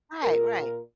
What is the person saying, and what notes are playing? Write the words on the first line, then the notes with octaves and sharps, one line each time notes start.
Right, right.
A#2 A#4